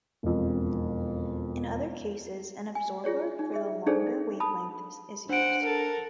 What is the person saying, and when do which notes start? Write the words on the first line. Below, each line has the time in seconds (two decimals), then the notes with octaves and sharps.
In other cases an absorber for the longer wavelengths is used.
0.23 E1 F2
2.75 G#5
3.04 F4 G#4 C#5 D5
3.39 D#4
3.54 G#4 E5
3.86 D4 D#4 G#4 A4 C5 D5
4.40 A5 B5 D#6
5.29 D4 C5 F#5 D7
5.62 A4 A#4